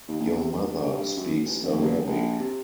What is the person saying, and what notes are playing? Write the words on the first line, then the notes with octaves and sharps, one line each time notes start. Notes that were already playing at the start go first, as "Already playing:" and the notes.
Your mother speaks Arabic.
D#2
A#1
C3
D3
G2
F#2
A1
F1
F#1
A#1
C3